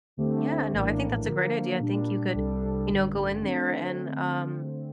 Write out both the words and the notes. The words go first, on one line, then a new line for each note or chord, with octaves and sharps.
Yeah. No, I think that's a great idea. I think you could, you know, go in there and, um,
D2 D3 A3 C4 G4
A#1 A2 E3 A#3 D4
D3 F3 A#3
A#2 G3 D4
C2 C3 G3 D4 A4
A1 G2 D3 G3
D3 A3 C4